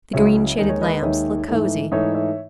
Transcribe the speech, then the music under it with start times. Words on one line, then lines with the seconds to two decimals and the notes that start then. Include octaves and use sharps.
The green shaded lamps look cosy.
0.13 C#2 C#3 F#3 C#4 E4 C#5 E5
0.58 D#2 D#3 G#3 D#4 D#5
0.69 C#5
0.81 B4 D#5
1.02 D#2 D#3 G#3 D#4 C#5 E5
1.48 G#2 E3 A3 D#4
1.91 G#2 E3 A3 D#4 C#5 E5
2.14 C#5 E5